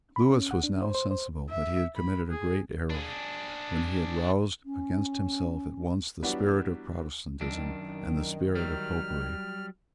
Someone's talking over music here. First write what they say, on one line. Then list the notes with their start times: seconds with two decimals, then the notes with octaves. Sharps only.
Lewis was now sensible that he had committed a great error when he had roused against himself at once the spirit of Protestantism and the spirit of Popery.
0.16 B5
0.30 C#4
0.51 F#5
0.63 D4
0.82 C5
0.95 C5
1.11 C5
1.50 E5
1.95 B5
2.30 G#4
2.90 D4 G#4
4.65 C#4
6.22 E3 F#3 G3 B3 D4 F#4
7.41 F#2 D#3 D4
8.55 F#3 G3 F6